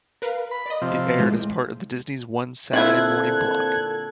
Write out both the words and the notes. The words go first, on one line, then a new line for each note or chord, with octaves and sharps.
It aired as part of the Disney's One Saturday Morning block.
A#4 B4 F5
B5
D5 D#5
C3 F3
A2 E3 G#3
A#2 D3 C4 E4 F4 A4 F#6 G#6